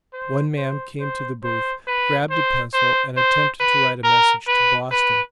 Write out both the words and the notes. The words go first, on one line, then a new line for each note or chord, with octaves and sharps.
One man came to the booth, grabbed a pencil, and attempted to write a message to Boston.
C5
C5
C5
C5
B4
C5
C5
C5
B4
A#4
B4
B4